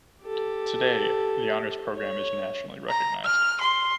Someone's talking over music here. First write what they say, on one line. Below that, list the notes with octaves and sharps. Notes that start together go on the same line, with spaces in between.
Today, the Honors Program is nationally recognized.
G4 A4
C#5
A#5
F6
C6